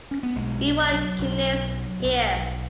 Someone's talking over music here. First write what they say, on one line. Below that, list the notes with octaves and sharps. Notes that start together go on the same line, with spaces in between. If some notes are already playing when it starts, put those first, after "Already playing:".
We want keenness here.
C#4
B3
B1 B2 G#3
F#3
B1 B2
B1 B2